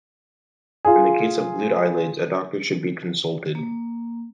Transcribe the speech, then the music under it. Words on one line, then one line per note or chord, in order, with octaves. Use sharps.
In the case of glued eyelids, a doctor should be consulted.
F4 G#4
A#3